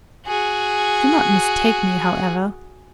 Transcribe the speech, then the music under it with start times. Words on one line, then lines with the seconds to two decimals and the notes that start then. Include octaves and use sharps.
Do not mistake me, however.
0.27 F#4 G#4